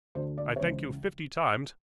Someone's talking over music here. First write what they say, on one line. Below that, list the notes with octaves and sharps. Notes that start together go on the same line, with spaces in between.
I thank you fifty times.
D2 D3 C5
D5
C#5
C#2 C#3 E3 C5